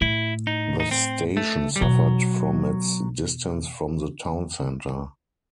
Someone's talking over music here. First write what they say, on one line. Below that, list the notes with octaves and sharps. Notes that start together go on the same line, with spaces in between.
The station suffered from its distance from the town centre.
A2 E4
D#4
D#4
C4
A3
G3
B2 F#3